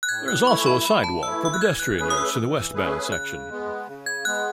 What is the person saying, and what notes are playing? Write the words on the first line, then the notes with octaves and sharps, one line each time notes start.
There is also a sidewalk for pedestrian use in the westbound section.
F#6
A2 G#6
F#6
E3 A3 E4 C#6
B5
A2 B5
A5
E3 A3 E4 E6
E6
F#6
E3 G#6
F#6
A3 C#4 G#4 B4 F#6
D#6
E6
E3
A3 C#4 G#4 B4
C#3 F#6
G#3 B3
C#3
G#6
G#3 B3 F#6